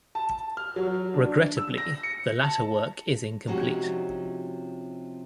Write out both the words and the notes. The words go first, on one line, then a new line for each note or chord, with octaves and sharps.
Regrettably, the latter work is incomplete.
A5
F6
F#3
D4
E6
A#6
C#7
A5
C3 F3 G#3 C#4 D#4 F#4